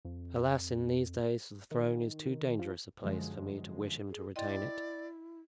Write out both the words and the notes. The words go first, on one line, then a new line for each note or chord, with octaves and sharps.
Alas! in these days the throne is too dangerous a place for me to wish him to retain it.
F2
D#3
F3
F#2 D3 F3 G#3
G#4
E4 D5 D#5 G5 C6